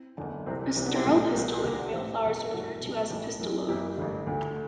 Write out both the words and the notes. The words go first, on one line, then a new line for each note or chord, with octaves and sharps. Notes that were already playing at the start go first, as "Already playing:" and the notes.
A sterile pistil in a male flower is referred to as a pistillode.
Already playing: C4 E4
F#1 E2 D3
C2 C3 E3 C4
C2 C3 E3 C4
B3 D4
E4 G4
B1 A2 E3 F#4 A4
C2 B2
A4
D2 D3 G4 B4
D5 F#5
A1 A2 E3 C5 E5
F#1 E2 B2
A1 G2 E3 F#4 A4
C2 B2
A1 A2 E3
F#1 F#2 E3
F#1 F#2 E3 E4 G4
A1 G2 D3
D2 D3